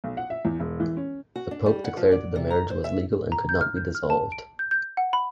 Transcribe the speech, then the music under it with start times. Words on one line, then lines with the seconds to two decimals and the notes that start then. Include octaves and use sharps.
The pope declared that the marriage was legal and could not be dissolved.
0.04 B1
0.17 F#5
0.30 E5
0.45 E2
0.60 E1
0.80 E3
0.97 C#4
1.36 F#4
1.51 D4
1.66 G3
1.84 F#5
1.97 F3
2.12 D5
2.36 C3
2.50 A#5
2.70 C5
2.84 E5
3.32 A#5
3.49 G6
3.61 F6
3.77 G6
3.95 F6
4.10 A5
4.32 D7
4.59 G6
4.71 G6
4.97 F#5
5.13 B5